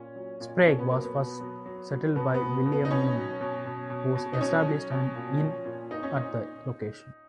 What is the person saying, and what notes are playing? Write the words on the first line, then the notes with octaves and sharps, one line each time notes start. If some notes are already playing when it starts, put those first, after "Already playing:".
Sprague was first settled by William Newman, who established an inn at the location.
Already playing: A#2 C#4
F#3
A#2
B2 C#4
B3
F#3 A#3
B3
B2
F#3
F#3
F#3
B2 B3
B3
B2
B2
B3
D#4
B2 C#4
F#3
B2
B2
B2
B2
D#4
F#3 C#4
F#3
B2
A#2
F3
A#2
A#2 D#4
C#4
A#2 D#4